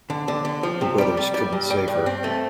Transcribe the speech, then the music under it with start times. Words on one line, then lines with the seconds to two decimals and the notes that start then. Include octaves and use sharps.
The brothers couldn't save her.
0.10 D3
0.28 D3
0.45 D3
0.63 F3
0.81 C3
0.98 G3
1.17 G3
1.34 G3
1.53 G2
1.70 G3
1.88 G2
2.06 C4
2.24 A3